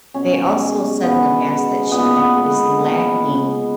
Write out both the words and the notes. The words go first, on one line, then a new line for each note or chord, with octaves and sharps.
they also said in the past that she is lacking
B2 C#4
G#3
B2 B3
G#3
A#2 B3
B3
G#3
A#2 B3
G#3